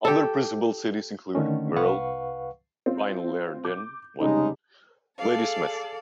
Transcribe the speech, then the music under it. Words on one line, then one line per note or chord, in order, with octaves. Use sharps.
Other principal cities include Merrill, Rhinelander, and Ladysmith.
G4 A4
D3 D#3 A3 C#4
C2 B4 F5 F#5 C#6
C4 F4
D6 G6
F1 C#3 G3 G#3 D#4
G#4 A4 D5 F5 A5